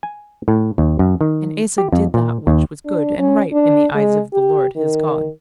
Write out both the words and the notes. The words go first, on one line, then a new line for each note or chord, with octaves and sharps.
And Asa did that which was good and right in the eyes of the Lord his God.
G#5
A2
D#2
F#2
D#3
G4
F2
A#2
D#2
D4
C#4
D4
G#3
G4
D#3